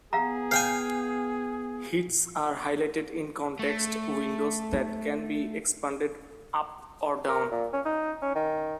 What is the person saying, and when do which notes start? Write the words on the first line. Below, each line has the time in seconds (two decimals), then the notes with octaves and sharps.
Hits are highlighted in context windows that can be expanded up or down.
0.13 B3 G#4 F5 F#5 A#5
0.51 C#5 F5 G5 G#5
3.59 A3
4.73 D#4
7.28 A#4
7.51 A#2
7.73 C#4
7.85 D#4
8.22 C#4
8.35 D#3